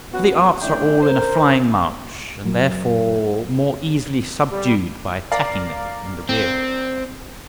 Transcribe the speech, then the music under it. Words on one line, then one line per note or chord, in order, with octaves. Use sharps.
For the arts are all in a flying march, and therefore more easily subdued by attacking them in the rear.
B3 C#4 F#4
A3 C#4 D4 E4 G5
A#4 C5
F#2
G3
A#4 D5 F5
C4